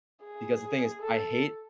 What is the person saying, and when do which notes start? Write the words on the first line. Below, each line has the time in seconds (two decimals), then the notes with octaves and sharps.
because the thing is, I hate
0.24 G#4
1.01 A4